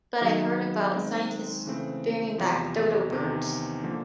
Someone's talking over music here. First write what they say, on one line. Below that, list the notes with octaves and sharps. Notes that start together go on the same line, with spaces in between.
but I heard about scientists bringing back dodo birds.
D#3 F#3 B3 D#4 G#4
D#3 G#3 C4
C#3 E3 A3 C4
E2 C3 F3
E2 C3 D#3
D3 F3 A#3